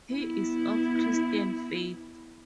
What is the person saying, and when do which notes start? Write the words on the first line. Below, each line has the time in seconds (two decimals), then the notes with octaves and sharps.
He is of Christian faith.
0.13 B3 E4